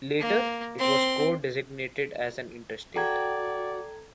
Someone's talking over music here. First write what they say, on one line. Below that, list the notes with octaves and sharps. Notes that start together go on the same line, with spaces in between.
Later, it was co-designated as an Interstate.
A#3
C4 C6
F#4 A4 D5 G5 A#5 G#6